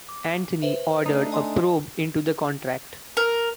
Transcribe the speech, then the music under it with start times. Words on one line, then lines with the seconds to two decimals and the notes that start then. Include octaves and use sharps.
Antony ordered a probe into the contract.
0.09 D6
0.62 B4 C5 E5
1.06 A3 D4 D#4
1.32 D#5 G#5 C6
3.17 A#4